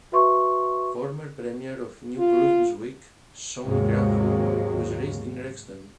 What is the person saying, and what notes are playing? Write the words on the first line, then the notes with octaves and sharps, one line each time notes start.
Former Premier of New Brunswick, Shawn Graham, was raised in Rexton.
F#4 B4 E5 C6 C#6
F4
D#2 G#2 C3 F#3 G#3 A#3